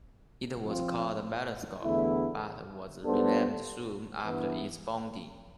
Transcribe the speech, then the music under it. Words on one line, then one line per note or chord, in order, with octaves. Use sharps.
It was called Mellenskov, but was renamed soon after its founding.
F3 C4 F4
E2 D3 A3 E4
G3 B3 D4 A4 C5
G2 E3 B3